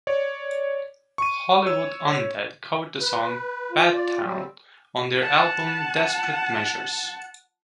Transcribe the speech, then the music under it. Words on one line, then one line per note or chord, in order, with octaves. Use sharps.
Hollywood Undead covered the song "Bad Town" on their album Desperate Measures.
C#5 D5
C#6 D#7
C#5 E6
B4
F4
D5
F#3 G3 C4
F#5 A5